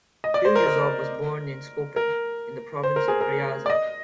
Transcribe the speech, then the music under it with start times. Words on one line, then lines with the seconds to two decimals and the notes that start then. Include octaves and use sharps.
Biryuzov was born in Skopin, in the province of Ryazan.
0.24 D#5
0.34 D5
0.45 C5
0.56 A#4
0.66 A#4
1.96 A#4
2.83 C5
2.96 A#4
3.08 G#4
3.21 A#4
3.66 D5
3.70 D#5